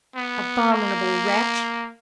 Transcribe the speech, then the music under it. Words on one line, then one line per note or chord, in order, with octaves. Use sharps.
Abominable wretch!
B3
A#3